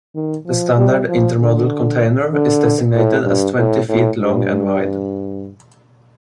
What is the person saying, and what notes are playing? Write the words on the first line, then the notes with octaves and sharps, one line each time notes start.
The standard intermodal container is designated as twenty feet long and wide.
D#3
F3
G3
F3
D3
D3
A2
G2
A2
A2
G2